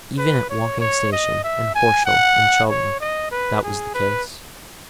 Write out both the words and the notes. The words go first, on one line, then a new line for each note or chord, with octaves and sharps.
Even at Woking station and Horsell and Chobham that was the case.
B4
C#5
C#5
D#5
E5
G#5
F#5
C#5
D#5
B4
G#4
B4